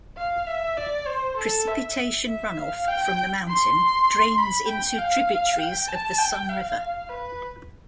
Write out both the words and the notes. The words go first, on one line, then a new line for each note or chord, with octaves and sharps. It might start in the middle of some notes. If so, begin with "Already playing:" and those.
Precipitation runoff from the mountain drains into tributaries of the Sun River.
F5
E5
D5
C5
A4
E5
E5
F5
G5
C6
B5
G5
F5
F5
G5
A5
G5
F5
F5
B4